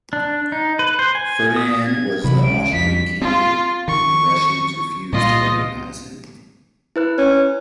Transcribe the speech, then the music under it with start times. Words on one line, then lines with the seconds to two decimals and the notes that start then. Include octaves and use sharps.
Ferdinand was the "Austrian candidate" and the Russians refused to recognise him.
0.13 D4
0.52 D#4
0.79 B4
0.99 C5
1.15 G#5
1.56 D#6
1.86 G#6
2.24 C3 E3 F#3 B5
2.43 C#2 D7
2.73 F2 B6
3.22 C4 F4
3.88 D#3 C#6
5.12 C#2 A#2 G3 F4 D#5
6.96 E4 B4 F#6
7.18 C#4